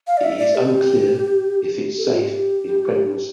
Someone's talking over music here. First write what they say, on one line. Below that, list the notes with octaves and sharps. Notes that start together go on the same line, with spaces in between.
It is unclear if it is safe in pregnancy.
F5
D5
E5
D5
G4
A4
G4
F4
G4